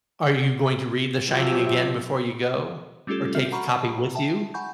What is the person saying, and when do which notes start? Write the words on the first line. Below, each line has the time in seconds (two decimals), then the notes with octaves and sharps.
are you going to read The Shining again before you go, or take a copy with you?
1.28 F3 F#3 G4 E5
3.07 G3 A3 C#4 F4 G4 A4
3.35 C4 F#4 E5 F6
3.52 F#5 A#5 B5 C#6
4.15 E5 G5 A5
4.54 F#5 G#5 B5 C#6 G6